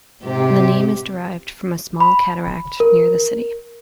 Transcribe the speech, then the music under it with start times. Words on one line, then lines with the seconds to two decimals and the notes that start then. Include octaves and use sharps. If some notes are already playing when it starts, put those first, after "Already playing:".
The name is derived from a small cataract near the city.
0.24 G#2 C3 G4
2.00 B5
2.80 A#4